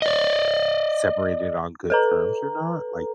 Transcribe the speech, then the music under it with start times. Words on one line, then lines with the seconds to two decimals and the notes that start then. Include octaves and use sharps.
separated on good terms or not? Like
0.02 D5 D#5
1.90 A4 B4 A#5